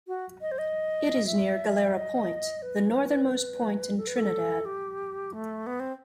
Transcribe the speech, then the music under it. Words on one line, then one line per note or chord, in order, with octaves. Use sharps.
It is near Galera Point, the northernmost point in Trinidad.
F#4
D#5
C5
D#5
E5
D#5
B4
A4
B4
A4
G4
A3
B3
C4